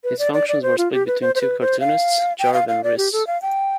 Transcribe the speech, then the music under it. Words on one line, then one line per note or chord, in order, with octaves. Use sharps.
His functions were split between two cartoonists, Charb and Riss.
B4
D5
D5
D5
C5
F4
G4
B4
C5
C5
B4
C5
F5
G5
F5
F5
D5
G4
A4
F5
G5